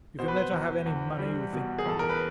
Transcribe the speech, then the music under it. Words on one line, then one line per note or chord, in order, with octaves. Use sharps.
You can let her have any money you think proper.
B2 C5
B4
C5
E2
E2
G3
B2
G#4
E2 A4
A#4
B4